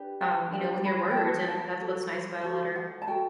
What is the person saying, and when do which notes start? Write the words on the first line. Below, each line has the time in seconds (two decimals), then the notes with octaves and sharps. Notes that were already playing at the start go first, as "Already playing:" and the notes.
um, you know, with your words, and and that's what's nice about a letter.
Already playing: D4 G4 B4
0.21 G5
0.52 D4 G4 B4 G5
0.85 B5
1.11 G5
1.17 F#4 A4 A5
1.48 A5
1.80 F#4 A4
2.44 F#4 A4 A5
2.76 F#5
3.02 A5
3.07 F#4 A4 G5